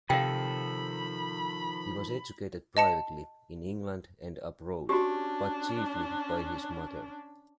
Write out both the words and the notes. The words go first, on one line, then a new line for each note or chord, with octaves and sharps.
He was educated privately, in England and abroad but chiefly by his mother.
C3 D#3 F3 A4 F5 G5 B5
D#5 A5 C#7
C#4 D4 F#4 G4